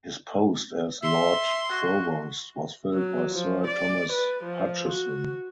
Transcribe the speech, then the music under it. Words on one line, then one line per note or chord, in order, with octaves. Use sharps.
His post as Lord Provost was filled by Sir Thomas Hutchison.
E5 C6
F#4
F#3
F3
D5
B4
F3
F#4